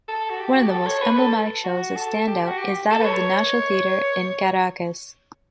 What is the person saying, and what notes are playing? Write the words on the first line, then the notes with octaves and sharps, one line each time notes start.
One of the most emblematic shows that stands out is that of the National Theater in Caracas.
A4
F#4
G4
F#4
G4
A4
C#5
B4
A4
F#4
A4
G4
F#4
G4
A4
B4
C#5